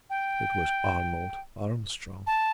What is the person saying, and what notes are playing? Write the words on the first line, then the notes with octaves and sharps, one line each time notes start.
It was Arnold Armstrong.
G5
A5